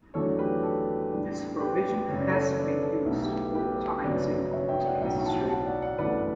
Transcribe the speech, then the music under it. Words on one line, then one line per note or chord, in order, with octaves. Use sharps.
This provision has been used four times in Court history.
E2 D3 F#3 A3 D4 A4 C#5
G4 B4
A4
A2 G3 D4
G4 B4
F#1 F#2 C#3 C#5
D5
A4 C#5
B4 D5
A4
B1 B2 A3 E4 A4
G4 B4
G4 B4
G1 F#2 C#3 F#3 C#4 B4 D5
C#5 E5
E5 G5
D5 F#5
B1 A2 F#3 C#4 E5 G5
F#5 A5
F#5 A5
D5 F#5
D5 F#5
G1 F#2 E3 A3 B4 D5